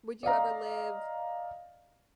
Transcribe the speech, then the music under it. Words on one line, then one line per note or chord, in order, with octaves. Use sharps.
Would you ever live
D5 D#5 F5 A#5